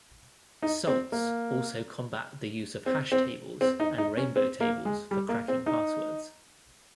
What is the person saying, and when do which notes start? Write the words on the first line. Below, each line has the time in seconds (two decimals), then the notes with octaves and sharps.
Salts also combat the use of hash tables and rainbow tables for cracking passwords.
0.63 D#4
0.87 C4
1.12 A#3
2.86 C4
3.12 C4
3.61 C4
3.80 D#4
3.98 D#4
4.17 C#4
4.36 C4
4.61 A#3
4.85 G#3
5.11 G3
5.29 A#3
5.48 C4
5.66 D#4